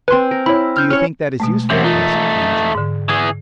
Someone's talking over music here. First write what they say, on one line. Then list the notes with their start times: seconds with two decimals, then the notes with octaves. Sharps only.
"Do you think that is useful?" asked the engineer.
0.08 C4 B4 G#5 C6
0.31 A#4
0.46 E4 C#5 B5
0.77 F6 G6
0.90 C#4 C#5 F6
1.40 B2 G#3 A3
1.70 F#2 C3 E3 A#4
1.84 A3 D#4 F4
2.75 G#2 D3
3.09 E3 G#4 G#6